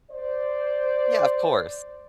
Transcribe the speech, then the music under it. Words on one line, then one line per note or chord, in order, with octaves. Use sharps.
Yeah, of course.
C5 D5